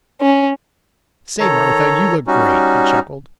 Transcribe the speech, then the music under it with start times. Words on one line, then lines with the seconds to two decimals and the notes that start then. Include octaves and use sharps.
'Say, Martha, you look great,' he chuckled.
0.21 C#4
1.40 D#3 A4 C#5 A#5
2.27 G3 C#4 D#4 F#4